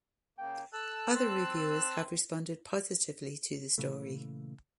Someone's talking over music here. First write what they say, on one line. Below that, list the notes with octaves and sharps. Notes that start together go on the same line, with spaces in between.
Other reviewers have responded positively to the story.
C#3 A#3 G5
A4 A5 E6 F#6
C4
A#2 C#3 E3 A3